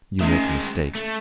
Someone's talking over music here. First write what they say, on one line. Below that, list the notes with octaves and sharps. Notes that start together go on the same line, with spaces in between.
"You make a mistake."
D#3 G#3 A3 C#4
A3